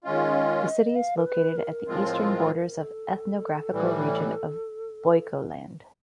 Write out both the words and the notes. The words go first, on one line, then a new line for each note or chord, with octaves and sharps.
The city is located at the eastern borders of ethnographical region of "Boyko Land".
D#3 G#3 C#4 F4 D#5
F5
A#4
B4
A#4
A2 F3 G#3 C4 F4
A4
A2 E3 G3